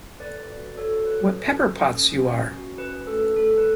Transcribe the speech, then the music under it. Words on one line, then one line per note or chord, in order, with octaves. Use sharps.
What pepper-pots you are!
A4 B4 D5
F#4
F#4 A4 C#5
F#4 B4
A4
C#4
C#4
C#4
F#4
C#4 B4
A3 A4
A3 A4
B4